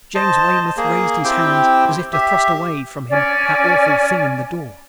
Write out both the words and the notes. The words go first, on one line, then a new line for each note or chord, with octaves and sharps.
James Weymouth raised his hands, as if to thrust away from him that awful thing in the door.
C5 D#5 A5
A#3 G#4
C4 E4 G4 G5
G4 E5
C#4 D5